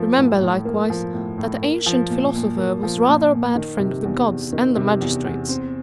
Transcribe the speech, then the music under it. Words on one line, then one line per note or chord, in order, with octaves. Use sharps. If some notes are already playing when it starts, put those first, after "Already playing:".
"Remember, likewise, that the ancient philosopher was rather a bad friend of the gods and the magistrates."
Already playing: F3 A#3
A2
A2
A#3
F3
A2
A2
A#3
F3
A#2
A#2
A#3
F3
A#2
A#2
D#3
C3
E2
E2
D#3
C3
E2
E2
C4